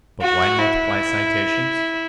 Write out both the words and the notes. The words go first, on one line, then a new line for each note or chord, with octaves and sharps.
But why multiply citations?
F#4
E4